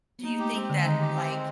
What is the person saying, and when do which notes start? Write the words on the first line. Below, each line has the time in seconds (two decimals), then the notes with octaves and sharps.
do you think that, like
0.19 B3
0.24 A#3 D#4
0.39 A3 G4
0.54 G#3 C4
0.69 D3 G#3
0.84 D#3 D#4
1.00 G4
1.15 C4
1.30 G#3